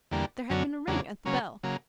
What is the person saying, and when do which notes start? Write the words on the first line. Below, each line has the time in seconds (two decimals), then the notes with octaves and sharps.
There had been a ring at the bell.
0.11 E2 D3 G3 A#3
0.50 F#2 D3 F#3 C#4
0.87 E2 C#3 F#3 A#3 D4
1.25 C#3 F#3 A#3 C#4
1.63 C#3 F#3 A#3